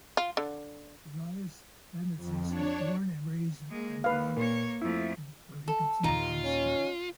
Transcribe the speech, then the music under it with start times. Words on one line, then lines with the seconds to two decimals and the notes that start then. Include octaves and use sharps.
Elias Venezis was born and raised in Ayvali, where he completed high school.
0.17 F4
0.37 D3
2.15 F2
2.47 D4 C#5
3.70 G#3 A#3
4.04 D#2 B4 F5
4.37 A#2 A#3 C#5
4.82 F2 A3 E4
5.68 A4
6.04 D#2 A#2 D#4 F4
6.44 C#4